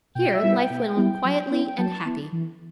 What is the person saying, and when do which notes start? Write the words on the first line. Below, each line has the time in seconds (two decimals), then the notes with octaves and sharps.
Here life went on quietly and happy.
0.15 B2 G5
0.34 E5
0.43 G3 B3 E4
0.52 G5
0.70 B2
0.97 G3 B3 E4
1.24 F#3
1.51 B3 E4
1.78 F#3 A5
2.06 B3 E4
2.32 E3